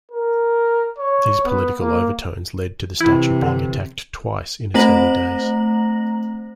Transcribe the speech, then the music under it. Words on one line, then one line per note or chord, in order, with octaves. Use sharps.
These political overtones led to the statue being attacked twice in its early days.
A#4
C#5
B3
A#3
C3 E3 E4
D3
A3 C4 C5 A#5 A#6 F#7